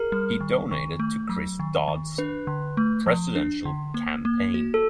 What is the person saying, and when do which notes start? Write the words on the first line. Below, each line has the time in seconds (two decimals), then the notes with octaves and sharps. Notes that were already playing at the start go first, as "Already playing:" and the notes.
He donated to Chris Dodd's presidential campaign.
Already playing: G#4 A#4
0.12 G3
0.41 D#3
0.71 D#3
0.99 A3
1.29 F#3
1.60 D#3
1.88 D#3
2.18 D4 B4
2.47 D3
2.77 A3
3.06 F3
3.35 D4
3.65 D3
3.94 A#3
4.25 A#3
4.54 F#4
4.74 A4